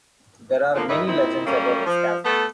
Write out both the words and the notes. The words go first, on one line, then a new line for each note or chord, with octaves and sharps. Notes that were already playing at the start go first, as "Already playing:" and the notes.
There are many legends about this castle.
D3 F3 A#3
G2 D#3 E4 B4 D#5 E5
A#2 C4 D#4 E4
F#2 G3 A3 A#3 C#4
F3
A3 B3 A4